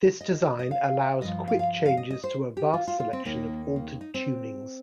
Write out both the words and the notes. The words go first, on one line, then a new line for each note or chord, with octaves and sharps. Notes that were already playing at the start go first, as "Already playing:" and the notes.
This design allows quick changes to a vast selection of altered tunings.
D#5
D#5
F5
G2 F3 D#5
F5
F5
F5
D#5
D#5
C5
G4
F4
F4
F4
C4
D#2 D#3 A#3
A#3
D#4
C4